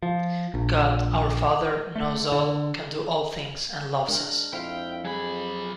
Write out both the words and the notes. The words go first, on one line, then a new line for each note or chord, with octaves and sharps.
God, our father, knows all, can do all things, and loves us.
F3
A#1
A3
D3
G#3 D4 A#4
F2 E4 C5 F5 G5
F#3 G#4 B5